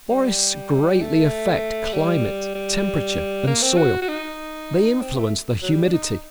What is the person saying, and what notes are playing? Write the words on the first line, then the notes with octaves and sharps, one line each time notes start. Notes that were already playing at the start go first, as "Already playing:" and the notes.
Forests greatly affect climate, temperature, and soil; they influence the humidity.
G3
A3
G3
G3
A#3
C4
F#4
F#4
D#4
C4
A3
F#3
G3
D4
D#4